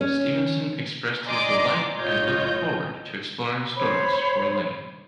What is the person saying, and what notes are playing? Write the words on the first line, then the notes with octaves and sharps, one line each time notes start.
Stevenson expressed his delight and looked forward to exploring stories for Iain.
C#4
D5 D#5 G#5 A#5 C6 D6
B1 A2 F4 C#5 D#5 G6
C5 C#5 B5